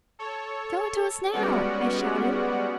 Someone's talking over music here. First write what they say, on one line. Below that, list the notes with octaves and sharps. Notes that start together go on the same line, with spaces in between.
"Show it to us now!" I shouted.
A4 C#5
G3 G#3 B3 C#4 F#4 D5